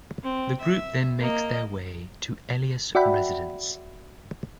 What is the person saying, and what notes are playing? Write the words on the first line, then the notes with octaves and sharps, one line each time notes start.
The group then makes their way to Elias residence.
C4
E5
A#3 D#5
F#4 D5 E5 F#5 G5 B5